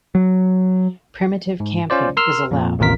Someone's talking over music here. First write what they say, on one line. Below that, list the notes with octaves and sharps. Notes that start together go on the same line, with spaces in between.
Primitive camping is allowed.
F#3
G#2
C#4 F4 C5 D5
A#4 C6 E6 F6
F2 A#2
A1 D#2 C3 F4 A#4 B6